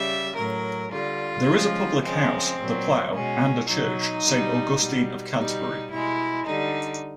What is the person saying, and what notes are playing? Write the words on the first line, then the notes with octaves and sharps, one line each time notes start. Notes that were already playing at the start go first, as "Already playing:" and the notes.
There is a Public House, "The Plough" and a Church, "Saint Augustine of Canterbury".
Already playing: C#3 G3 E5
A2 F#3 A#4
D3 G3 F4
C#3 F3 G#3
C#3 F3 G#3 C4
A#2 F#3
B2 G#3 C#4
B2 F#3 D#4
B2 G3
B2 G3
B2 G3 D#4
B2 G#3 E4
D3 G3 D#4